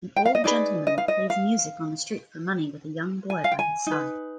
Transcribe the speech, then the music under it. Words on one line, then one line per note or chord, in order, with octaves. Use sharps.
An old gentleman plays music on the street for money with a young boy by his side.
G5
F5
D#5
D#4 G#4 B4 D5
D#5
F5
D#5
F5
G#5
F5
G5
G#5
D#4 B4